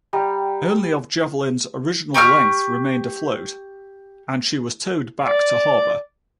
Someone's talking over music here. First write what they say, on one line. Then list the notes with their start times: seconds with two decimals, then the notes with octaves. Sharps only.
Only of "Javelin"s original length remained afloat and she was towed back to harbour.
0.13 G3 F#5 G5 A#5
2.14 G4 C#6 D6 F6
5.24 D5